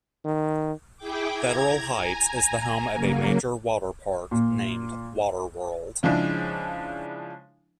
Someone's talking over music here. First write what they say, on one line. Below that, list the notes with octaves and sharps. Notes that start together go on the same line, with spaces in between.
Federal Heights is the home of a major water park named Water World.
D#3
E4 G#4 G5 D6
A#5 G#6
G#5 A#5
C#3 F#3 A#3
A#2
C#3 F3 G#3 D4 E4